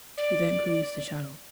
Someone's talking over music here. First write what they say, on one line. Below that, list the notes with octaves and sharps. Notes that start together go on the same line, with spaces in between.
He then cruised the Channel.
D5